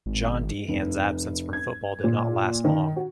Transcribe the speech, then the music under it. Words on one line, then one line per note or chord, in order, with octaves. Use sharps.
John Deehan's absence from football did not last long.
G#1
F1
G#6
A#2
D#3
F#4